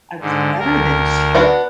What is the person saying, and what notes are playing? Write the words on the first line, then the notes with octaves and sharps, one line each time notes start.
I was better than she
G#2 D3
D2 A#4
B3 D4 F#4